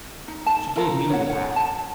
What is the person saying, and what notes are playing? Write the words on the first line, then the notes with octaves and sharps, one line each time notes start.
She gave me the packet.
D#4
A5
E4 F4 A#4 A#5
C#5 F#5
C#5 F#5
A5